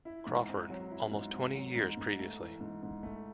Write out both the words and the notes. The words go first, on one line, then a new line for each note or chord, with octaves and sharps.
Crawford almost twenty years previously.
E4
G#2
C4
F#3
E4
G#2
C4
F#3
G#2
G#2
A3
E3
G#2
G#2
A3